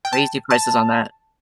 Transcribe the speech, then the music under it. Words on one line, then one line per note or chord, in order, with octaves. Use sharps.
Crazy prices on that.
G5
A5
A5